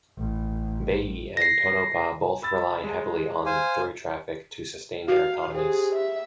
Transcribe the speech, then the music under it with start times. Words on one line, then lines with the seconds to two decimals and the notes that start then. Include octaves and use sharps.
Beatty and Tonopah both rely heavily on through traffic to sustain their economies.
0.18 A1
1.37 A#6 C7
2.42 B5 E6 A6
2.84 G#3
3.46 C5 F5 G#5
5.08 F#4 F5
5.55 G4 G#4 C5
5.95 E5